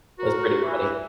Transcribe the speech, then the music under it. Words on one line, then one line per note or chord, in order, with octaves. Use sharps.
It's pretty funny.
F#4 A#4
E3